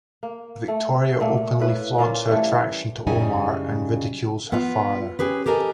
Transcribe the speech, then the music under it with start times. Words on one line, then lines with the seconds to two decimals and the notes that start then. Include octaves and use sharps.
Victoria openly flaunts her attraction to Omar and ridicules her father.
0.23 A#3
0.68 A3
1.20 A#2 A3 A#3
1.60 A2 B4
1.98 A#2 A#3 C#4 F4
2.29 E3 G3 A3
3.07 F#2 C#3 G3 D#4 E4 G#5
4.52 B3 F4
5.19 C#4 G4 G#4 B4
5.46 G4 A4 A#4 D#5 G#5